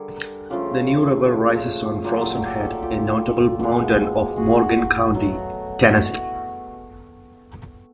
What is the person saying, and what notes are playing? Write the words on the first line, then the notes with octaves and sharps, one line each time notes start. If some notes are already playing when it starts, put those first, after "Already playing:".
The New River rises on Frozen Head, a notable mountain of Morgan County, Tennessee.
Already playing: D3 G3 G#4 A#4
C#3 F3 A3 F4 G4
A#2 F#3 A3 F4 G4
G4 A4
F4 G4
B2 G#3
F#4 G#4
B2 F#3 A3
E4 F#4